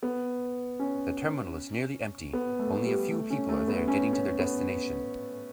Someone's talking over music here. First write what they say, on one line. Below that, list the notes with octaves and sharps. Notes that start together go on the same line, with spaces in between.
The terminal is nearly empty, only a few people are there getting to their destination.
B3
C#4
B3
A3
G3
A3
C#4
A3
B3
C#4
C#4
B3